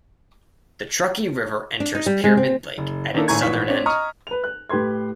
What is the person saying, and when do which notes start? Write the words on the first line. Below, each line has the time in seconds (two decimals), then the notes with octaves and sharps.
The Truckee River enters Pyramid Lake at its southern end.
1.80 D4
1.95 D#4
2.06 G3
2.24 G#3
2.37 C4
2.78 F#1
3.14 D#3 A#3 D4 E4 A4 A#4
3.28 G#1 A2 G#5 A#5 C#6 G#6
3.42 A#1 G#2 E3 C#6 B6
3.68 C4 D4 C#5
3.86 D#5 A#5 C#6 D#6 F6
4.27 B4 F7
4.44 F#6
4.69 A2 G4 B4 C6 G#6